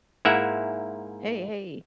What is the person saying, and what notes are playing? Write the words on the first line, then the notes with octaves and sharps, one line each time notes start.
Hey, hey.
G#2 A#3 E4 E5 F#5